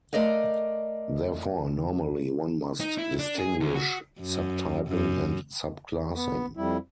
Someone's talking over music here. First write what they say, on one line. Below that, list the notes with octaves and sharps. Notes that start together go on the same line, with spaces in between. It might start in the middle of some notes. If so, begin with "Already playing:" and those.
Therefore normally one must distinguish subtyping and subclassing.
A3 A#4 D5 D#5 F5
D#4
E4
D4
G#4
D2
F#4
F#2
F#2
B3
F2 G3 E4